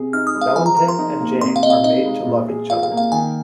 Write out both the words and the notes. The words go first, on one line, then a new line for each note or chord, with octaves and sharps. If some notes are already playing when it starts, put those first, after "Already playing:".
Valentin and Jane are made to love each other.
Already playing: C3 G#4
D#4 F6
D#6
G#3
F5
F3 G#5
A#5
A#4 A#5
C6
D#4
A#3
C3 C6
F5
C3 D#5
F5
D#4 D#5
G#3
A#2
G#4
F4 F5
F5
A#3
F5
D#3 G#5